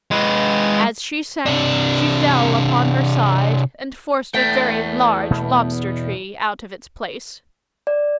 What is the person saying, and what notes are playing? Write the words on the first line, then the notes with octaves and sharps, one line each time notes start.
As she sank she fell upon her side, and forced a very large lobster-tree out of its place.
G#3 B4
C3 D4
E2 A3 G5
B2 B3
D5